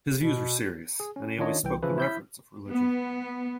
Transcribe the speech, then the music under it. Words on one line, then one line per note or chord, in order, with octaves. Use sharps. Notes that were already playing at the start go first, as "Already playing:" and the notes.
His views were serious, and he always spoke with reverence of religion.
B2
G#4
C#4
D#3 C#4 D4 F4 C#5 D#5
C2 E3 G5
C#3 E3 F3 E4 B4
E4 G6 B6
B3